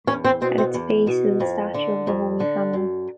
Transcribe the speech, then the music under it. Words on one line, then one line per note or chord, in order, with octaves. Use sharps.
At its base is a statue of the Holy Family.
E2 C#4
C4
B2 C4
C4
E2
B2
F2
D3
F2
D3
F#2